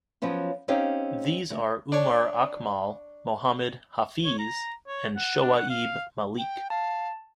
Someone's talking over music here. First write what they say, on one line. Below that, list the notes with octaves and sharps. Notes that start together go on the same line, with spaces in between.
These are Umar Akmal, Mohammad Hafeez and Shoaib Malik.
F3 F#3 B3 C#4 F4
C4 C#4 D#4 G4 F5
D2
D4 C#5
C#5
A#5
C#5
F#5
D4
F#5
F5
G5
F5 A5